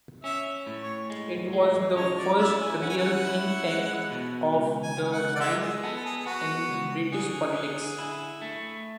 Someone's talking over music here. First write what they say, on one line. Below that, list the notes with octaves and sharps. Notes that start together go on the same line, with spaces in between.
It was the first real think-tank of the right in British politics.
C#4 E5
A2
C#5
G#3
G#3
C#4 C#5
D5
E4 E5
G#5
C#4 F#5
G#5
F#5
E4
G#3
B2
C#2
G#5
C#2
F#5
D5
G#3 E5
G#4
B3 A4
A4
G#4
G#4
B3 F#4
C#2
D3 G#4
D3
E4
A3